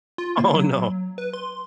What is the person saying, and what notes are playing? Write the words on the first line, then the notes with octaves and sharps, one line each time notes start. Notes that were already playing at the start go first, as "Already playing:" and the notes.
Oh, no.
F4
A#3
F#3
F#3
B4
C6